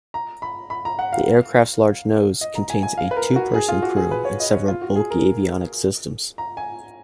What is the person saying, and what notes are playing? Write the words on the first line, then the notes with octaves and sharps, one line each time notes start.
The aircraft's large nose contains a two-person crew and several bulky avionics systems.
A#5
B5
B5
A#5
F#5
F5
D#5
A#5
G#5
G#5
F5
B4
A#4
F#4
G#4
F4
F#4
G#4
B4
C#5
D#5
C#5
F4
F#4
G#4
A#4
A#5
G#5